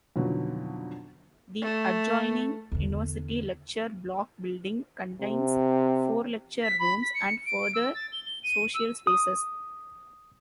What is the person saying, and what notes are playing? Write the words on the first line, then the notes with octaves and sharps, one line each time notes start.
The adjoining University Lecture Block building contains four Lecture rooms and further social spaces.
F2 B2 D3 D#3 F#3
A3
E2 D3
C3
B6
B5
B6
C#7
D7
E6
A6
G7
G7
D#7
E6
D#6